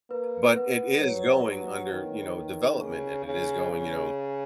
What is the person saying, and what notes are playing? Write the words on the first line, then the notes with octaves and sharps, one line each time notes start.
but it is going under, you know, development, and it is going, you know
A#3 B4
B3 B4
F#3 C#5
F#3
D#3
C#3
C#3
C#3